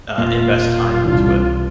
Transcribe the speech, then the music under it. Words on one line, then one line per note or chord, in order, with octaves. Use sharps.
uh, invest time into it.
E1 A#2 A#3 F4
C2 E3 D4